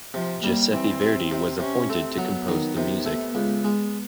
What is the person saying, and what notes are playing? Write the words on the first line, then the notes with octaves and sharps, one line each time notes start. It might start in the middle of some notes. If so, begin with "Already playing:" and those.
Giuseppe Verdi was appointed to compose the music.
C3 F3
G3 A#3
E3 C4
C3
C3
C3 C#4
A3 C4
F#3 B3
D#3
C3
A3
C#2
G#3